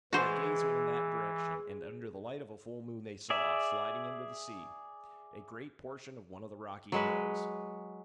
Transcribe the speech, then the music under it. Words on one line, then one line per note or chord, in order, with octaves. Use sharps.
Their gaze went in that direction, and, under the light of a full moon they saw, sliding into the sea, a great portion of one of the rocky hills.
E3 G#3 F#4 C5
G#4 D5 E5
F#3 G#3 B4